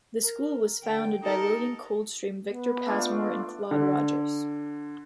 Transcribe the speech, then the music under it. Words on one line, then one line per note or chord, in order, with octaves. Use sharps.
The School was founded by William Coldstream, Victor Pasmore and Claude Rogers.
A#4
D3 G5
D#4 G4 A4 A#4
B3
A3 D4 F4
D3